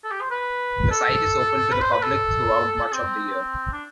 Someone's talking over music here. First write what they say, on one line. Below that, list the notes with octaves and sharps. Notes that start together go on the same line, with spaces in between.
The site is open to the public throughout much of the year.
A4
G4
C5
B4
A4
B4
C5
B4
A4
C4
D4